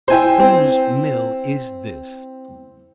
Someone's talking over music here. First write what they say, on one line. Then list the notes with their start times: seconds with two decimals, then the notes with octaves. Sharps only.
"Whose mill is this?"
0.08 E4 C5 G5 G#5 C6
0.40 C4